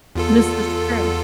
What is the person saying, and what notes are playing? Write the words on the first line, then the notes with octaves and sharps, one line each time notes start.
This is true.
E2 F4 A4